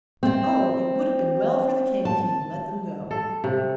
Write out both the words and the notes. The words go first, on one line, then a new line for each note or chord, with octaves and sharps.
But O! it would have been well for the King if he had let them go!
C4
A5
A4
C3